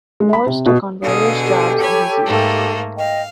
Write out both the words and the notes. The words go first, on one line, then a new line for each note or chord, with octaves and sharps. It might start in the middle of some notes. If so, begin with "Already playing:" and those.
Mores took on various jobs in his youth.
G#3
B5
C3
B2
B2 D3 G#4 F5 D#6
G4 A4
C#5 G#5 B5
G#2 A3 A#3
D#5 F5 G5